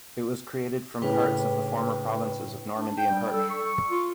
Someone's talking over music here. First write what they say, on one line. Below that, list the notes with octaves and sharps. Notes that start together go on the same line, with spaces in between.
It was created from parts of the former provinces of Normandy and Perche.
A2 C#3 D4 B4 G5
D4
G5
G3
A4
C#6
F4